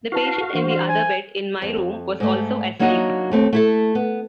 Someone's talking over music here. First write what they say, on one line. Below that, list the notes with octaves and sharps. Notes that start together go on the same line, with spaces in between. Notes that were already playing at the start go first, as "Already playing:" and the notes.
The patient in the other bed in my room was also asleep.
E4 F#4 B4 F5 A5
E3 D4 C5
G#5
F2
G#2 A3
F#3 A#3 D4 D#4 F#4 D#5
D#2 A3 C4
A3 E4 A4
B3